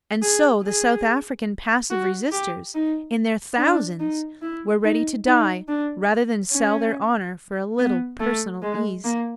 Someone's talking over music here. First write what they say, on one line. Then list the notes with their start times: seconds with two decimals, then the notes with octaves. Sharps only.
And so the South African passive resisters in their thousands were ready to die rather than sell their honour for a little personal ease.
0.22 G#4
0.64 G#4
1.90 F#4
2.32 G4
2.75 D#4
3.58 D4
4.00 D#4
4.42 E4
4.84 D#4
5.26 D#4
5.68 D4
6.52 C#4
7.79 B3
8.20 A3
8.62 G#3
9.04 A#3